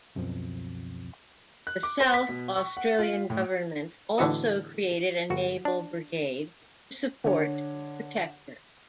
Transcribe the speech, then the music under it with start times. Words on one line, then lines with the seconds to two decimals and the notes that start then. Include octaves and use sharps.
The South Australian government also created a naval brigade to support the Protector.
0.15 C#2 F#2 B2 F3 C4
1.67 F#6
1.83 D6
2.00 C5
2.14 B6
2.29 B2
2.56 C#6
2.77 F#5
2.99 F4
3.30 A2
4.18 A2 D3 E3 F#4 D#5
5.30 G1 F#4
5.65 D4
7.24 D3 C#5